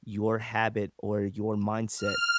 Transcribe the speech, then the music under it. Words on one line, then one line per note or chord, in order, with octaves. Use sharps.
your habit or your mindset
F6